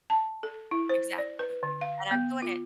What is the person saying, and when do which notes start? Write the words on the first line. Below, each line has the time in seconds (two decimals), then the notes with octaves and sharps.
Exactly, and I'm doing it
0.10 A5
0.43 A4
0.71 E4
0.89 C5
1.18 D5
1.39 B4
1.63 D3
1.81 F5
2.11 B3
2.42 F4